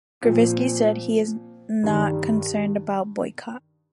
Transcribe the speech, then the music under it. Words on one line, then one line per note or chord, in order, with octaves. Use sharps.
Gruevski said that he is not concerned about boycott.
A#2 F3 C4
G2 D#3 G3